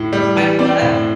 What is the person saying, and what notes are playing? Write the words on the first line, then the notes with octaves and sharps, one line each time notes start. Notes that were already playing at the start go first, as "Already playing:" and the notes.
I love
Already playing: A2
G3
E3
C4 D5
A2